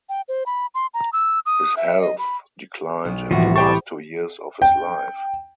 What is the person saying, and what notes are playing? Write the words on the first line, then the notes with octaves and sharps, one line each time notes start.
His health declined in the last two years of his life.
G5
C5
B5
C6
A#5
E6
D#6
E5
D#5
B5
B1
C2 A2 E3 F3 F#4
G4 C5 D#5 G5 A5 B5 C#6
G5